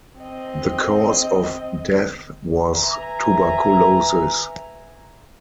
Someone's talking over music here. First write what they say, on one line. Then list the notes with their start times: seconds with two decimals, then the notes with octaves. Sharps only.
The cause of death was tuberculosis.
0.18 C4 D#5
2.73 B4 E5 G#5 A#5